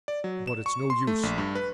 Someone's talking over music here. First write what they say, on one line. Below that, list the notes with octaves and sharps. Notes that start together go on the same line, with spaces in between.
But it's no use.
D5
F#3
E7
C#6
C6
A3
A#1
G2
B4